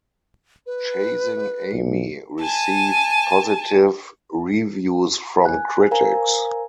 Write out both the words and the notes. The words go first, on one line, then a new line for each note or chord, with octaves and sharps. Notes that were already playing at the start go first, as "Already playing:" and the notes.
"Chasing Amy" received positive reviews from critics.
B4
B1
G#5 A5
G#5 F#6
A#4 C5 F5 G#5 A#5